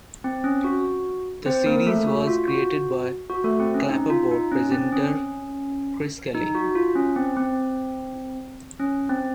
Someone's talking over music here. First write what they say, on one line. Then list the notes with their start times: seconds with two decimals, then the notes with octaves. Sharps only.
The series was created by "Clapperboard" presenter Chris Kelly.
0.24 C4
0.44 C#4
0.64 F#4
1.46 C4 C5
1.66 A#3 A#4
1.87 A3 A4
2.07 F#4
2.27 F4
2.48 F#4
3.30 F#4
3.44 A3 A4
3.60 C4
3.75 C#4
3.90 D#4
4.10 F4
4.31 D#4
4.52 C#4
4.71 C4
4.93 C#4
6.35 D#4
6.55 F#4
6.75 F4
6.95 C#4
7.16 C4
7.37 C4
8.79 C#4
9.09 C4